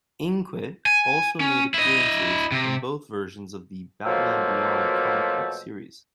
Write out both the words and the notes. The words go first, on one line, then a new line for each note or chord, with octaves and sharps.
Inque also made appearances in both versions of the "Batman Beyond" comic book series.
G#5
C#4
E4 D#5
C3
B2 F3 F#3 A3 A#3 C4